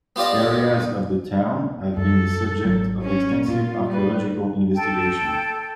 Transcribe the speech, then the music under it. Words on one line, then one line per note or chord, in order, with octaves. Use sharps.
Areas of the town have been the subject of extensive archaeological investigation.
B3 F4 G4 D5 D#5
F#2 A4
G#1 F#3
C#4
A#2 F4
G3 B4
A4 G5